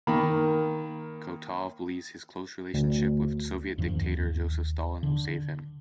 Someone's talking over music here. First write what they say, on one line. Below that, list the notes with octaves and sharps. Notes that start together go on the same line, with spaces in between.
Kotov believes his close relationship with Soviet dictator Joseph Stalin will save him.
D#3 A#3 B5
D2
E2 G2 D#3 F3
D#2
D3